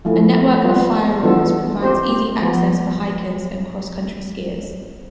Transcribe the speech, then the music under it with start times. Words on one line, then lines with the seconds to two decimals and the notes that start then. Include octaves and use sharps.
A network of fire roads provides easy access for hikers and cross-country skiers.
0.05 F3 A3 E4
0.64 G3 B3 F4 B4
1.23 E3 B3 D4 F4 A4
1.82 C4 G4 C5
2.42 F3 B3